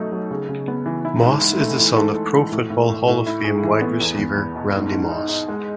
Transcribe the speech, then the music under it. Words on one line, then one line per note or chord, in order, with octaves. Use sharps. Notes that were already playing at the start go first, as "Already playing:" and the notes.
Moss is the son of Pro Football Hall of Fame wide receiver Randy Moss.
Already playing: B2 F#3 A3 D#4
F#3
C#3
C#3
B3
E3
E4
G#2
G#2
A3
E3
A4
A4
E3
A2
A2
A2
A2
E4
G#4
E3
B3
E2
E2
E2
B2
G#2
G#2
D#4
D#4
G#3